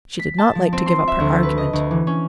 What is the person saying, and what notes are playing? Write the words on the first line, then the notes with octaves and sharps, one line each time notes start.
She did not like to give up her argument.
B6
A5
F3
C4
C6
E5
D2
B4
D#5
D2
E3
C#4